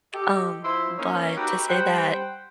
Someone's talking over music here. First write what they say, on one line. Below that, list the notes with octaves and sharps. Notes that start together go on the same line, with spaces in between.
Um, but to say that
G4 A4 D#5
F3 E4 C6
A#3 C#4 D#4 A#4 C#5
D#4 F#4 G4 A4 B4
G3 C5 F#5 G5